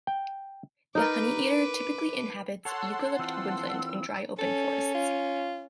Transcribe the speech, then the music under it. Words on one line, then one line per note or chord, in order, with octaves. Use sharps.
The honeyeater typically inhabits eucalypt woodland and dry open forests.
G5
D#4 A#4 B4 D6
A4 C#5 F#5 A5 C6 E6
E3 C4 F4 E6
C#4 A4
F4